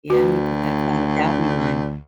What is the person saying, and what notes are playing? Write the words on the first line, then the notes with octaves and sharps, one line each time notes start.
yeah, you put that cloud of doubt in your mind.
D2 F#4 B4